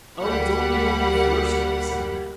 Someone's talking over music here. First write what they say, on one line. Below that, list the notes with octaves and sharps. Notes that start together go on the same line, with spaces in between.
'Oh, it's only an old fir-stump', said the man.
D2 G3 A#3 F#5 B5